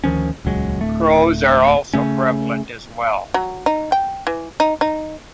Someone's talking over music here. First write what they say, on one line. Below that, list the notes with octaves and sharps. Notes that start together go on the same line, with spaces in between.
Crows are also prevalent as well.
D2 D#3 F3 C#4
D#1 C#2 F#3 G#3
D1 A3
C#3 A3 C#4
F#3
D#4
G5
E3
D#4
D#4